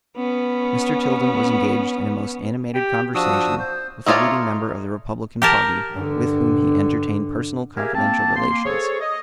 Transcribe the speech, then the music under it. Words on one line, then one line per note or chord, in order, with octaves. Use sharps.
Mr. Tilden was engaged in a most animated conversation with a leading member of the Republican party with whom he entertained personal confidential relations.
B3 C#4
G4
F3 D4 F#4 D#6 E6
C5
A3 D#4 F4 C#5 D5
G4 A#4 A5
G2 D3
G4 G#4 A#4 E5 F5 G#5
A#3 C4 A5
A#3 C6
G#4 A4 C5 C#5
D#5